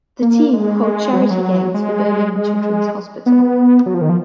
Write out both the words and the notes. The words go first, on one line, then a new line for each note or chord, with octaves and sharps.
The team hold charity games for Birmingham Children's Hospital.
A#3
G#3
F#3
G#3
F#3
G#3
G#3
B3
F#3
F3
D#3
F3